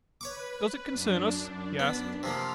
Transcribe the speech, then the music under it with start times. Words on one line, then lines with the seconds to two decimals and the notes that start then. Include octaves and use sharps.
"Does it concern us?" he asked.
0.21 B4 C#5 C#6 D6
0.88 F#2 D4
1.79 B3
2.23 C3 F3 A#3 F6